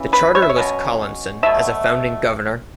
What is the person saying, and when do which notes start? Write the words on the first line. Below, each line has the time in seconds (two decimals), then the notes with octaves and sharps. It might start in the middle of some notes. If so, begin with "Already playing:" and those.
The charter lists Collinson as a founding governor.
Already playing: C#3 E3 C#4
0.13 B4
0.35 C#5
0.42 E5
0.49 C#5
0.56 B2 F#3 C#4
1.43 B2 F#3 A3 E5